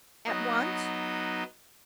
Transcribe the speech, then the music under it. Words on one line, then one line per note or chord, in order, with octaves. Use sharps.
At once!
F#3 B3 D#4 D#5